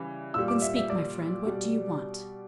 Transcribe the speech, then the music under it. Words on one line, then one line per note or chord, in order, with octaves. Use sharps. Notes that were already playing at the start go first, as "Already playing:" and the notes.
"Then speak, my friend; what do you want?"
Already playing: C#3 E3 G3
A#2 G3 E6
D6
E5
E5
D5
B2 G3